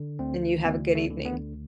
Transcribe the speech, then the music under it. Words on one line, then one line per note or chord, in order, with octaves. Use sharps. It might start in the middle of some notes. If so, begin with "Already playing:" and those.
And you have a good evening.
Already playing: D3
D2 C4
D2 B3
A3
D3
B3